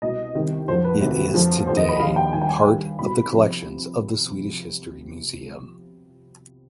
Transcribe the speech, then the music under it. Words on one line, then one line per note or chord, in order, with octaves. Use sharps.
It is today part of the collections of the Swedish History Museum.
C2 B2 D#5
C2 C3 D#3
F2 D3 F3 C5
B4
D2 C3 D#3
F2 D3 F3
D#2 D3 F3 C5
D#5
B5
D#2 D3 F3 F5
G5
G2 D#3 G#5
G5
G#5
G2 D#3
C2 B2 B5
C3 F3